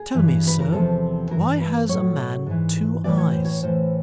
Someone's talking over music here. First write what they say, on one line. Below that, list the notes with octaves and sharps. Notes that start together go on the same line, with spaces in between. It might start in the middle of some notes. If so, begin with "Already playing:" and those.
"Tell me, sir, why has a man two eyes?"
Already playing: G#4
G2 E3
B4
A#4
E2 C3 F3 A4
G2 E3 A#4
B4
A2 F#3 C#5
G#2 E3
A2 E3 D5
C#5
C5
C#5
A2 E3 C5